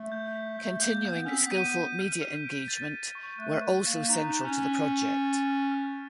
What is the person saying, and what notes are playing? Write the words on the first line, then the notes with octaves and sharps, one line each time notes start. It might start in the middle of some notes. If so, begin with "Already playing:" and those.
Continuing skilful media engagement were also central to the project.
Already playing: A3
G6
B6
A3 G6
A#3 G6
B3 G6
C#4
C4 B6
B3
D#7
B3
D#7
F6
F6
D7
A6
A6
C#6
A3 F#6
C#6
A#3 E7
D#4 B6
E7
C#4
B6
F6
A6
A6
F6
F6